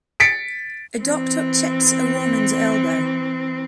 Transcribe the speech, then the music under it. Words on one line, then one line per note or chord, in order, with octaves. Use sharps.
A doctor checks a woman 's elbow.
A6 B6 C#7 D7
E3 C4